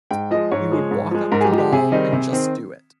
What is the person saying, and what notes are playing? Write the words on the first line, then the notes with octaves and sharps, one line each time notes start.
He would walk up to ball and "just do it".
G#2 G5
F3 G#3 D#5
G#2 C#5
F3 G#3
G#2
F3 G#3
G#2 A#4
G#4
G4
F3 G#3
G4
C3 G#4
D#3 G3 C4 D#4
C3
D#3 C4